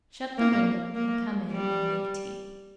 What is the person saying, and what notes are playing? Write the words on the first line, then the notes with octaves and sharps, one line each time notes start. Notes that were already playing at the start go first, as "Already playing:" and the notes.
Shut the window, and come in and make tea.'
A#3
A#3
G3